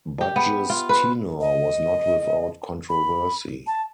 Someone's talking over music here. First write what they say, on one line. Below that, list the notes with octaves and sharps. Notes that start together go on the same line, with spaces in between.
Budge's tenure was not without controversy.
G4
B3
F4
B4
D#5
B5
A5